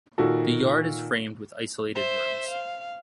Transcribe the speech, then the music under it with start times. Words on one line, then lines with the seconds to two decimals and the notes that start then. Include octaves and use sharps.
The yard is framed with isolated rooms.
0.18 A#2 D#3 F#4 A4
1.95 C5 E5
2.49 F5